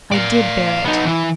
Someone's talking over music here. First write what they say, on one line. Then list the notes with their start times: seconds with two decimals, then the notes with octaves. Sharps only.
I did bear it.
0.12 D5 F5
0.85 B3 D#4
1.06 E3 E4